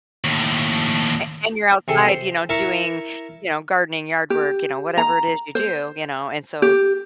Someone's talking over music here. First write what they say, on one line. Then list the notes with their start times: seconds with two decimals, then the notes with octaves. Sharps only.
And and you're outside, you know, doing, you know, gardening, yard work, you know, whatever it is you do, you know, and so,
0.24 D#2 A2
1.88 C3 G#4 A4 G5
2.09 C5
2.49 E4 A#4 A5 A#5 C#6
4.30 G4
4.98 A#5
5.55 C5
6.62 G4